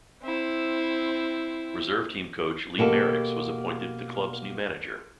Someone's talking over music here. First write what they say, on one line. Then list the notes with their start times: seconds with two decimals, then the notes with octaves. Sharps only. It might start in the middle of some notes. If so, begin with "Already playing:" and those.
Reserve team coach Lee Merricks was appointed the club's new manager.
0.23 C4 E4
2.78 B2 A#3 G4 A4